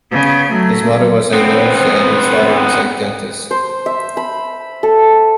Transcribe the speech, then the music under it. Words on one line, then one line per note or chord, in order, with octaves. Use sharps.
His mother was a nurse and his father was a dentist.
C#3 B3
F#3 A3
B3 C4
C5
E5
B5
A4